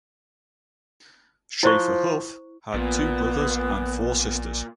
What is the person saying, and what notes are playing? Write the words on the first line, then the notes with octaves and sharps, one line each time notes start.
Schaeffer Huff had two brothers and four sisters.
F3 E4 C5 C#6
A#1 A#2 B3